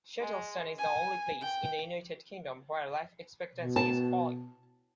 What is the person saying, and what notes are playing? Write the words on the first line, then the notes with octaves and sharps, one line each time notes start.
Shettleston is the only place in the United Kingdom where life expectancy is falling.
G#3
G#5
G5
B2
A5